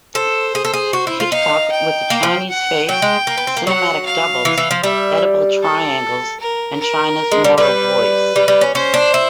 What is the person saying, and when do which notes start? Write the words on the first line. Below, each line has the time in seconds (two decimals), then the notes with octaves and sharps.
Hitchcock With a Chinese Face: Cinematic Doubles, Oedipal Triangles, and China's Moral Voice.
0.15 A4 C5
0.55 G#4
0.65 A4
0.73 G#4
0.93 F#4
1.07 E4
1.20 F4
1.32 D#4 F5
1.72 G5
2.10 A#3
2.23 F3
2.49 F#5
2.89 F#3 G5
3.02 G#3
3.27 A#3
3.37 B3
3.47 C4
3.57 A#3
3.67 F#3 F#5
4.06 F5
4.45 E3
4.58 E3
4.71 F3
4.83 G3 E5
5.62 A4
6.40 A#4
6.80 A#4
7.32 G#3
7.44 G3
7.58 G3 B4
8.36 G3
8.48 G3
8.61 C#4
8.74 C#4 C5
8.94 D4
9.14 E4